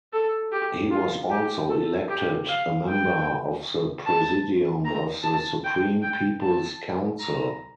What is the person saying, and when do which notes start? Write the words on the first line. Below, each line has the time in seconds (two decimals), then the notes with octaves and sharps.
He was also elected a member of the Presidium of the Supreme People's Council.
0.13 A4
0.52 G4
0.91 F4
1.31 G4
1.70 A4
2.09 G4
2.49 F5
2.88 G5
4.06 A5
4.85 A#5
5.23 A5
5.64 G5
6.02 G5
6.42 A5
7.20 A#5